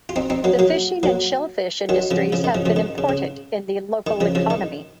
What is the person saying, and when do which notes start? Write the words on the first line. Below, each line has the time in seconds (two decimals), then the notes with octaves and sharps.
The fishing and shellfish industries have been important in the local economy.
0.09 F4
0.16 C4 D#4
0.30 C4 D#4
0.44 F#3 A#3
0.59 F#3 A#3
1.03 F#3 A#3
1.89 D#3 F#3
2.11 C#3 F3
2.33 C#3 F3
2.44 D#3
2.55 C#3 F3
2.66 C#3 F3
2.76 D#3
2.98 C#3
3.09 C#3
4.07 D#3
4.20 C#3 F3
4.35 C#3 F3
4.50 D#3